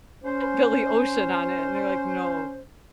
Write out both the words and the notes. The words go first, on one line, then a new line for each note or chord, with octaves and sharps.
Billy Ocean on it, and they're, like, "No,"
C#4 C5